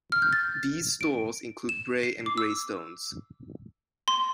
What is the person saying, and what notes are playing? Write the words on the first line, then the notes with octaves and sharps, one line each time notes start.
These stores include Bray and Greystones.
F6
G6
A6
D7
E7
C7
D6
E6
C6